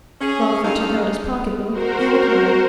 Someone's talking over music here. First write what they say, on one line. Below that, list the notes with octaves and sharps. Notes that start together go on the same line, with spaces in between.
Lawford took out his pocket-book and a card.
C#4 G#4
G2 D#4 A4 A#4 F5
F#4 A#4 C5